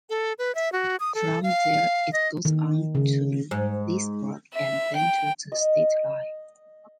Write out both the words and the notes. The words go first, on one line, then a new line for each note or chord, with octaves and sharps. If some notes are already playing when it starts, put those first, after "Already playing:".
From there it goes on to Leesburg and then to the state line.
A4
B4
E5
F#4
D#6
A4
F5
D#5
D#3
C#3
G#2
E5
G5
D#5